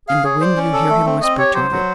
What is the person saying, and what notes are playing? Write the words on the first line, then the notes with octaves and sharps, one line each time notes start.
In the wind you hear him whisper to you.
G#4 F5
G#4 C#5
C5 D5
C#4
A4
A3
C4
C4 D#5
G4 C#5
F#3 C5
F#3